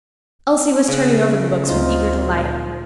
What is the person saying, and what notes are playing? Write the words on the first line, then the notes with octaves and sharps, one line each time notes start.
Elsie was turning over the books with eager delight.
C#3 F#5
D2 A#2 C4 D#4 F4